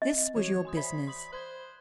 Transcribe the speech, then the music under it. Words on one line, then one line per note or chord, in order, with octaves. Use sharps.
This was your business!
C4 D#5
E3 F#4 C#5 G#6
G#5 C6 D#6
C5 D5 E5 B5
C6 D#6 F#7
C5 F#6 G#6 G7